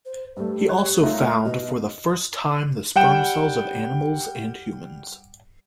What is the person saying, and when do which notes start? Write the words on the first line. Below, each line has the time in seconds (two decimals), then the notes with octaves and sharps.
He also found for the first time the sperm cells of animals and humans.
0.05 C5
0.37 G2 A3 G4
0.69 G3 C#5 F#6
1.01 A3 D#4 F4 E5
1.17 A3 F6
1.45 B2 D#5
2.95 G3 F#5 G5 E7